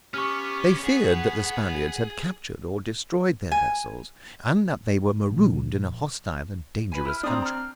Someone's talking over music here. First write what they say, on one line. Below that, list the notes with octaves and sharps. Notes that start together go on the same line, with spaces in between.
They feared that the Spaniards had captured or destroyed their vessels and that they were marooned in a hostile and dangerous country.
B3 C#4 G4 C#6 F6
G#4 F#5
G#5
A#1 A#2
B4 G#5
E4 F6
C4 D4 A#5 D#6
A#5 F6